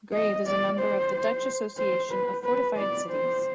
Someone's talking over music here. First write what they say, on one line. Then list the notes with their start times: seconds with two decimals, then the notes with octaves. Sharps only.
Grave is a member of the Dutch Association of Fortified Cities.
0.14 D#5
0.47 D5
0.80 C5
1.78 C5
2.11 B4
2.45 B4
2.78 D5
3.11 C5